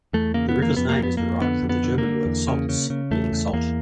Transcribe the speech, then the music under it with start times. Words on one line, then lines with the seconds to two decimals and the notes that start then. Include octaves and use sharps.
The river's name is derived from the German word "Salz", meaning salt.
0.13 E2 A3
0.34 C#3 A#3
0.49 B3
0.56 F2
0.62 A#3
0.77 F2 B3
0.89 A#3
0.99 F2 B3
1.17 F2 A#3
1.41 D3 B3
1.63 F2
1.69 B3
1.84 D3
1.98 A#3
2.04 D3
2.25 E2
2.48 C#3
2.69 C#3
2.90 C#3
3.11 E2 A3
3.32 E2
3.53 E2 A#3